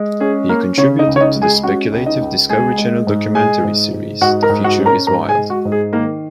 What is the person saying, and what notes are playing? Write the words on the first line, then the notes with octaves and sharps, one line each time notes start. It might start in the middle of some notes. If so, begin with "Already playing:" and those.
He contributed to the speculative Discovery Channel documentary series "The Future Is Wild".
Already playing: G#3
C#4 G#4
A#3 C#4 A#4
C#3 C#4 C#5
D#4 D#5
C#2
C#5
D#4 D#5
G#3
G#4 G#5
C#4 F#4 F#5
C#2
D#4 D#5
C#2
G#3 G#4 G#5
G#3
G#2
G#3 G#4 G#5
G#2
G#2
G#2 F#4 F#5
A#4 A#5
G#2
F#4 F#5
C#4
A#4 A#5
G#2 A#4 A#5
G#4 G#5
G#3
F#4
G#2
G#4
D#3 A#3 A#4